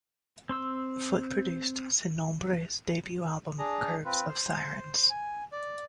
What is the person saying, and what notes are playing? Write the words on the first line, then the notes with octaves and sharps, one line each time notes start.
Foot produced Sinombre's debut album Curves of Sirens.
C4 C6 E6
D4 G#4 A#5
C4 F4 B4
C5
G#5
D5